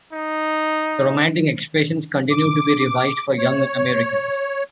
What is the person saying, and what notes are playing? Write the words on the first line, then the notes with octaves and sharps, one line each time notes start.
The romantic expressions continue to be revised for young Americans.
D#4
D6
C#5